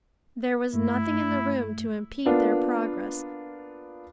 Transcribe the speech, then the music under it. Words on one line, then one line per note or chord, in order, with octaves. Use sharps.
There was nothing in the room to impede their progress.
G2 A3 E4
A#3 B3 D4 F4